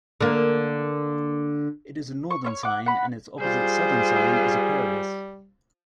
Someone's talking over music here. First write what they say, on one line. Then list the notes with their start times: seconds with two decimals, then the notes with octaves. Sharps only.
It is a northern sign and its opposite southern sign is Aquarius.
0.21 D3 A#3
2.30 C#6
2.44 C#5 E5 C#6
2.63 F#5 D6
2.86 F#5 B5
3.39 G3 F4 G#4 C5